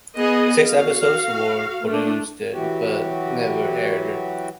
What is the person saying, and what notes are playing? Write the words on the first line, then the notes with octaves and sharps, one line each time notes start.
Six episodes were produced, but never aired.
B3 G#4 D#5
F#4 F5
A3 D4
E3 F#3 F#4 G4